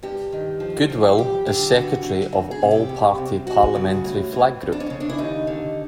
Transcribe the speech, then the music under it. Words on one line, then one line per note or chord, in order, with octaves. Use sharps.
Goodwill is secretary of the All Party Parliamentary Flag Group.
G2 G4
D#3
F3
F3
G2 G4
D3 G4
G2 F#4
D3
D2 F#4
G#4
C3
G4
E2
C3
D#2 F#4
C#3
A2
E3
F2
D4
C#4
C#3
D4
E4
D#2 D#4
D3